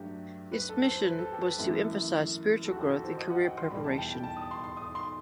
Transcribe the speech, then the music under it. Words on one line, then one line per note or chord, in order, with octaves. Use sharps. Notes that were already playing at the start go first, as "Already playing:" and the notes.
Its mission was to emphasize spiritual growth and career preparation.
Already playing: G2 F#3 A3 G4
B4
A4
C5
B4
A4
G4
B4
F#2 E3 A3
A4
F#4
G4
A4
C5
D#5
F#5
G5
C6
E2 B2 G3 B5
A5
G5
G5
A5
D#6
C6
C6
D#6
C6